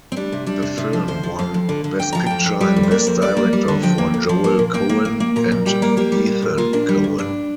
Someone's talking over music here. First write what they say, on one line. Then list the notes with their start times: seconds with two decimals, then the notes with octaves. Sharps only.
The film won Best Picture and Best Director for Joel Coen and Ethan Coen.
0.12 C4
0.16 G3 D4
0.32 C3
0.46 G3 D4
0.62 C3
0.78 C3
0.93 F3
1.08 D2 C5
1.23 F3
1.39 F2 F5
1.54 F2
1.69 D3
1.84 D3
1.99 F2 G5
2.13 F3 A#5
2.26 F2 G5
2.46 F2
2.61 G3 G5
2.76 F2
2.83 C5
2.91 A#3 D5
3.07 F2 C5
3.22 G3 D5
3.37 A#3
3.53 G3
3.68 D3
3.83 F3 G5
3.98 A#3
4.14 F2
4.29 F3
4.44 A#3
4.59 A#2
4.74 A#3 G5
4.89 A#3
5.05 A#3
5.20 A#3
5.36 A#2 A#5
5.52 A#2
5.66 G3 G5
5.82 A#3 A#4
5.97 A#3 G4
6.12 G3
6.27 A#2
6.42 A#2
6.58 A#3 F4
6.73 A#2 D4
6.89 G3
7.04 G2
7.18 G2 D4